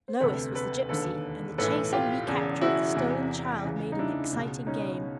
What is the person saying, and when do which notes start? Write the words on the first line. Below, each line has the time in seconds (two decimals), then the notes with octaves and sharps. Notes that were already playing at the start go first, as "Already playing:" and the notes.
Lois was the gypsy, and the chase and recapture of the stolen child made an exciting game.
0.08 C5
0.20 E1 D2 C3 A4 B4
0.55 A4 B4
0.89 E1 D#2 D3 A4 B4
1.58 B1 A2 E3 A4 B4
1.93 F4 G4
2.27 E1 E2 C#3
2.61 E4 F#4
2.95 E1 E2 C3 E3
3.64 C#2 C#3 E3
3.92 D#4
3.99 D4 E4
4.32 C#2 B2
4.67 C#4 D#4